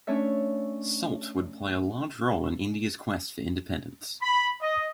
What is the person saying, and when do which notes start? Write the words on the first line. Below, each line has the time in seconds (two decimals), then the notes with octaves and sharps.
Salt would play a large role in India's quest for independence.
0.07 A3 C#4 D4 C#5 E5
4.20 B5
4.60 D#5